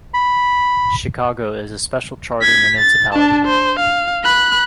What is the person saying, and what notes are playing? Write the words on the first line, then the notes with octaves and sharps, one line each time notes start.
Chicago is a special charter municipality.
B5
G#6 B6
A6
D4 A5
C5
F5
B5 F#6